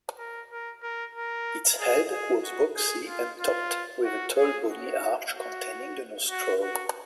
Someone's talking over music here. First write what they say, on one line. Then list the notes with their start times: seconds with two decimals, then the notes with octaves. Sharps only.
Its head was boxy and topped with a tall bony arch containing the nostrils.
0.19 A#4
0.51 A#4
0.83 A#4
1.15 A#4
1.80 G#4
2.11 G#4
2.44 F#4
2.76 G#4
3.08 F4
3.40 F4
4.05 F#4
4.37 G#4
4.70 F#4
5.34 F#4
6.30 F#4
6.62 F#4